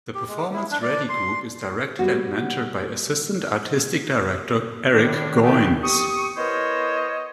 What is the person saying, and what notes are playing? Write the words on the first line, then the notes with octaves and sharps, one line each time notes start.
The Performance Ready Group is directed and mentored by Assistant Artistic Director, Eric Goins.
G4
G#3
E4
D4
D5
C6
G3 B3 F#4
E2 A2 D#3 G3 D4
A#2 D3 D#3 A3 B3 G4
G4 C#6 D#6
B3 E4 A#4 C5 C#5 D#5